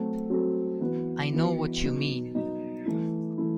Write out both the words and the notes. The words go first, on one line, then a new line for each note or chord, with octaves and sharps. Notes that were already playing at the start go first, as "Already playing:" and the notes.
I know what you mean.
Already playing: F#3 A3 C4 F#4 A4
F#3 A3 C4 F#4 A4
E3 B3 F#4 B4
E3 B3 F#4 B4
B2 F#3 B3 D#4
B2 F#3 B3 D#4
E3 A3 E4
E3 A3 E4